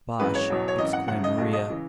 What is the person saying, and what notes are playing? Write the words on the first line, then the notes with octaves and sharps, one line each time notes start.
"Bosh!" exclaimed Maria.
G#1 F#2 E3 G#3 B4
C#5
E2 B2 F#3
C#5
G#1 F#2 E3 D#5
F#5
F#1 F#2 C#3 F#5
D#5
B1 B2 G#3
D#5
C#3 E3